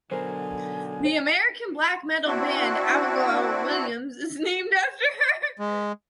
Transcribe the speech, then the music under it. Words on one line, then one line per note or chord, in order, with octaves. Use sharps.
The American black metal band Abigail Williams is named after her.
B2 D3 F#3 A#4 C5 G#5
C4 D4 E4 F#4
G#3